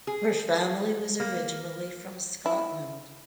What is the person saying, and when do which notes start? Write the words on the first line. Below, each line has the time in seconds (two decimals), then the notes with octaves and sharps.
Her family was originally from Scotland.
0.07 G#4
1.20 A#3
2.46 E4